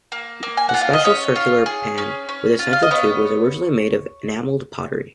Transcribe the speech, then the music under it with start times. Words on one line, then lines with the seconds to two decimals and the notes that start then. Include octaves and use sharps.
The special circular pan with a central tube was originally made of enameled pottery.
0.12 A#3
0.43 A#3
0.57 G#5
0.69 F4 F#5
0.81 F5
0.93 D#5
1.04 C#4 C#5
1.36 F4
1.66 G#4
1.98 C#4
2.29 C#4
2.59 F4
2.73 F5
2.82 D#5
2.91 B3 C#5